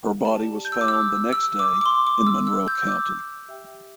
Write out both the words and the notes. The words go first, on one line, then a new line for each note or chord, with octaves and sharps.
Her body was found the next day in Monroe County.
G4 D5 G5 A5
G6
E6
D6
E6
E6
D6
D6
C6
D6
E6
E6
G6
E6
D6
E6
G4 E5 G5